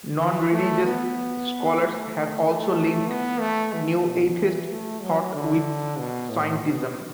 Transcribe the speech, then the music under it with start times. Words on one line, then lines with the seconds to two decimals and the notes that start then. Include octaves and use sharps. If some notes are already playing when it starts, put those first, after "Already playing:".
Non-religious scholars have also linked New Atheist thought with scientism.
0.19 E3
0.51 A3
0.84 B3
1.80 A3
2.45 A3
3.08 B3
3.40 A3
3.73 E3
4.05 B2
4.38 E3
4.70 A3
5.02 F#3
5.34 D3
5.98 B2
6.30 A2
6.62 B2